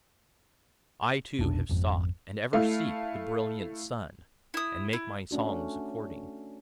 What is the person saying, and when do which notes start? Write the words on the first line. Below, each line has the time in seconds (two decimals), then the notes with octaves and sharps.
I too have sought, and ever seek, the brilliant sun, and make my songs according.
1.39 F1 B1 D4
1.69 G#1 F2
2.53 A3 E4 F5
4.54 E4 D#6
4.93 E4
5.31 A3 C#4 D4 F#4